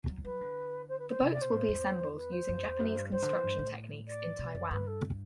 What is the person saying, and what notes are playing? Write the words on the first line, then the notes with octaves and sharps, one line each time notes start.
The boats will be assembled using Japanese construction techniques in Taiwan.
F#3
F#3 B4
D3
C5
B4
C5
C3
D5
B2 C5
A2
E2
B4
C5
F#2
E2
F#2
G2
G2 C5
D3
E3
G2
A2
D5
B2
F#2
G2 B4
A4